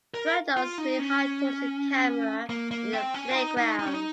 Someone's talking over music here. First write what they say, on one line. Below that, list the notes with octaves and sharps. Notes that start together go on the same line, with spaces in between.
Two adults swing high towards a camera in a playground.
A#4
F4
D#4
C#4
A#3
A#3
C4
C#4
F4
D#4
D#4
D#4
C#4
D#4